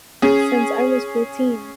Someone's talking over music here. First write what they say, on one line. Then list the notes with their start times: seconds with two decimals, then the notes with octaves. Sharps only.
Since I was fourteen.
0.22 C#4 G#4